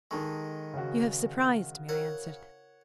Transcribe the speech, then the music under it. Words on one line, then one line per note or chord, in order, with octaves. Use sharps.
"You have surprised me," I answered.
D#3 G#3 D#4 A4 C#6
C#3 F#4
E4 A#4 C5 C#5 F#5